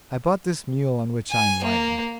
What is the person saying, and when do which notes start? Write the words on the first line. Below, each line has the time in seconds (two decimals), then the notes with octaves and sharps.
'I bought this mule on which I am riding.'
1.31 G#5
1.64 A#3